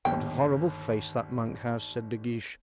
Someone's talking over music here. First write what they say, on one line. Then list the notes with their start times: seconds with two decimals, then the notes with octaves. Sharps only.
"What a horrible face that monk has," said De Guiche.
0.05 G1 D#2 G5